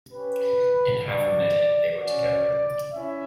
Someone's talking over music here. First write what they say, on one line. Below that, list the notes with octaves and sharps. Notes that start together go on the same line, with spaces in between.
In half a minute they were together.
C#4 G4 B4
G3 D4 F#4 D5
C#4 F#4 D5
C#4 E4 E5